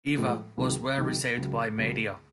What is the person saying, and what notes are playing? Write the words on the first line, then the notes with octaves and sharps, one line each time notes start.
Eva was well received by media.
A2 F3 G#3
C#2 C3 D#3 F#3
C#2 C3 D#3 F#3
C#2 C#3 F#3
C#2 C#3 F#3